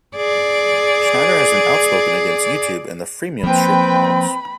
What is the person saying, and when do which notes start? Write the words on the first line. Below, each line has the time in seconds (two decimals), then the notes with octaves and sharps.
Schneider has been outspoken against YouTube and the "freemium" streaming models.
0.16 G#4 D5
3.43 F3 A#3 C4 B4 G5 B5